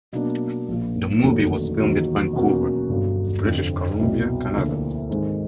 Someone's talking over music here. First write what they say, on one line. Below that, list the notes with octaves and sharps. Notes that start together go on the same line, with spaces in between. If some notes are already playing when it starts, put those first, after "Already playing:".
The movie was filmed in Vancouver, British Columbia, Canada.
B2 F#3 A#3 D4
A#1 A#2 F3
F1 D#2 D3 F#3 A3
E1 D#2 D#3 F#3
B2 F#3 A#3 C#4 F#4
G1 G2 D3 F#3
F1 F2 D3 F3
C2 B2 F#3 B3
D2 D3 F3 A#3 D4
G#2 D#3 G#3 C4